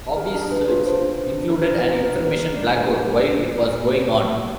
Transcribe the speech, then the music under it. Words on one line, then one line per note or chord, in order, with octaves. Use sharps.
Hobby's search included an information blackout while it was going on.
G#4 A#4
D4
G#4 B4
F4
D4 C5
D4
D4
D4
A#4
D4 B4
D4
G#4 A#4
B4
D4
A#4
D4 A#4
D4
D5
D4 C#5